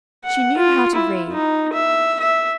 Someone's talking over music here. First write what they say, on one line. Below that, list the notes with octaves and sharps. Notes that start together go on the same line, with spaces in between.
She knew how to read.
F#5
F4
E4
D#4
E5
E5